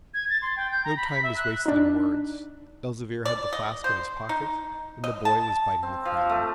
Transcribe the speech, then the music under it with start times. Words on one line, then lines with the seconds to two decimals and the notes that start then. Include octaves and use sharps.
No time was wasted in words; Elzevir had the flask in his pocket, and the boy was biting the crown.
0.14 G#6
0.30 A6
0.42 C6
0.56 G5
0.71 G6
0.84 A#5
0.97 B5
1.11 B6
1.23 E5
1.37 F#6
1.66 D4 D#4
3.25 D5
3.53 D#5
3.84 C5
4.29 D#4
5.04 D#5
5.25 A5
5.83 C4
6.05 F3
6.30 A3